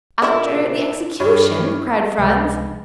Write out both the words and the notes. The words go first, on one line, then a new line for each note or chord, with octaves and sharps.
"After the execution?" cried Franz.
A#2 D3 E4 D5 E5
G2 C#5
C#2 C3 F3 G#3 B4 B5